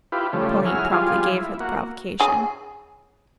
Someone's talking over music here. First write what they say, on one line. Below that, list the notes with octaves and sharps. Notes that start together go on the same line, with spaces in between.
Pauline promptly gave her the provocation.
E4 F4 G4 B4
C#3 F3 G3 A3
F#3 E4 G#4 F6
F3 G3 F4 G#4
E4
A#3 F#4
C#3 G#4